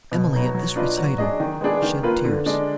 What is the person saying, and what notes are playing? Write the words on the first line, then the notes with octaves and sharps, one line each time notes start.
Emily, at this recital, shed tears.
B2
F#3 B3 D#4
F#3
D4 F4 B4 D#5
F#3
D4 G#4 D#5
D#3
G#3 B3 D4 G#4
D#3
A#3 F4 B4
D3
G#3 D4